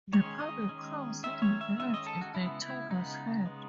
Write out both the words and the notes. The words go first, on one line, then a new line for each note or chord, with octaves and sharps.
The public house in the village is the Tiger's Head.
D#3 G#3 C#4 C#5
D#5
D#3 G#3 C#4
D#3 G#3 C#4 E5
C#5
E5
D#3 G#3 C#4 E5
D#5
A4
F#4
C#3 G#3 B3 E4
E4
C#3 G#3 B3 D#4
C#3 G#3 B3